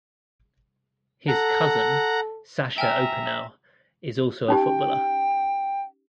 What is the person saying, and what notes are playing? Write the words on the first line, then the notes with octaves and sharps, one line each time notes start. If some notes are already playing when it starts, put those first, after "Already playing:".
His cousin, Sacha Opinel, is also a footballer.
A4 F#5 A#5
E5 G5 G#5 A#5 F6
C#4 D#4 G4 G5